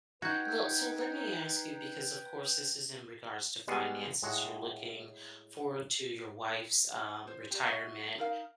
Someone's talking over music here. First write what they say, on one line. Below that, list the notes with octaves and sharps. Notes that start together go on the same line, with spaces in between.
Le so let me ask you because, of course, this is in regards to finances, you're looking forward to your wife's, um, retirement.
D#4 F#4 B4 G5 G6 G#6
G3 G#3 B3 F#4 G#4
A2 G#3 F#4
C5
G4 D5
F#4 D#5 E5
D#4 A#4 F5